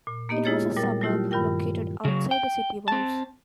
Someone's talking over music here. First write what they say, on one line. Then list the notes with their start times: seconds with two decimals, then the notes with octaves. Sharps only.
It was a suburb, located outside the city walls.
0.07 A#2
0.29 A#3 B3 D#4 G4 D#5
0.45 G#3 E4 F4 G#4 C#5 A6
0.76 A#2 G3 A#4 G5 A6
1.01 F#3 G3 A3 E4 F4 G4
1.31 G2 D#3 F4 A#4 G5
2.05 C#3 F#3
2.31 G5
2.88 C4 A5